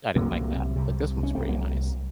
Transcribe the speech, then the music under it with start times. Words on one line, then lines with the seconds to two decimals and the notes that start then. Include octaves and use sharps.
I didn't like that. But this one was pretty nice.
0.16 C2 C3 F#3 A#3
0.76 C2 C3
1.23 C#4
1.35 C2 C3 A3 C4
1.49 F#3 A#3